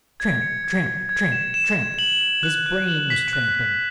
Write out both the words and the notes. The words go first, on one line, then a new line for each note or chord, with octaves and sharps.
Tramp, tramp, tramp, tramp; his brain was tramping.
G#6
C#7
G#6
G#6
G#6
E7
E7
G#6
F#7
F#7
F#6
F#6
F#7
B6
F#6
F#6